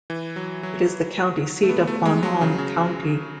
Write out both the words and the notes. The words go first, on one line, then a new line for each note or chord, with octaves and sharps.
It is the county seat of Bon Homme County.
E3
F#3
F#3
A3
B3
A3
G#3
F#3
C#3
C#3